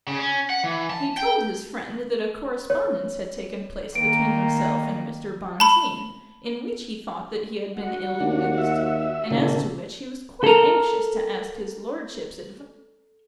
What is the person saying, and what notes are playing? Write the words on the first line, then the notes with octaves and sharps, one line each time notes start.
He told his friend that a correspondence had taken place between himself and Mr. Bonteen, in which he thought that he had been ill-used, and as to which he was quite anxious to ask His Lordship's advice.
C#3
C#4
F#5
E3
A5
G5
C#5
D#3 A#3 D7
A5 B5
F#4 F#5
D#2 D4
E5
G#1 A#2 C#3 A#3 A4
A4 A#4